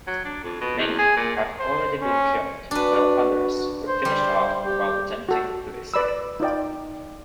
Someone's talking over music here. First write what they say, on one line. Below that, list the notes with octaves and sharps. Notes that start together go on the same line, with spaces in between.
Many had already been killed while others were finished off while attempting to escape.
F#3
D4
F2
B2
E2
G#4
A#2
C5
C#4
D4 F#4 B4
C5
G3
G4
F#4 A4
B4 D5 B5 E6
D#4 F4 D5 G5